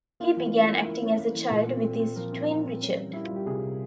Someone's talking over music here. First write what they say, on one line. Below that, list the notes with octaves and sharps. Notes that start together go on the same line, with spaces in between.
He began acting as a child with his twin Richard.
A#3 F4
E3
C#4
F4
A#3
A#3 E4
C#4
A#3
E3
A#2
C4
C4
C4
F3 A#4
C4
C4
C4
C#4
G3
G3 E4
F4
G3
G4
C3 G#4
C3